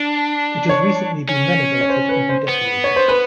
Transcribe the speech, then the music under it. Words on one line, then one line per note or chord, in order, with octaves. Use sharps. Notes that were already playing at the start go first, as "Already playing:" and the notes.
It has recently been renovated and redecorated.
Already playing: D4
C#5
C#4
C#5
C5
B4
C5
B3
C#5
C5
B4